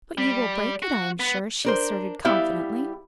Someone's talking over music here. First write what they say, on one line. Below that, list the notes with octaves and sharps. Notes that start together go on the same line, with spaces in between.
"But you will break it, I am sure," she asserted confidently.
G3
F#4
B3
D4 A#4 C5
G3 B3 E4 G4 E5 F5